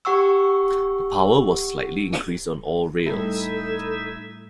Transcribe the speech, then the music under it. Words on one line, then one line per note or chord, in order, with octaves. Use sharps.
The power was slightly increased on all rails.
G4 F#5 C#6 E6
A2 G3 A3 D#4 E4 A4 E5